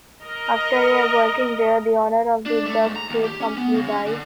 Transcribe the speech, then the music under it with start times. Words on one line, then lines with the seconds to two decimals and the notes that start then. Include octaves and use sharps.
After a year working there, the owner of the duct tape company died.
0.24 A#4 D#5
2.46 D4
2.66 A3
2.84 G#2
2.96 A#5
3.09 D#2
3.24 G4
3.40 C#4
3.57 B3
3.74 C#3
3.88 C#4
4.07 D3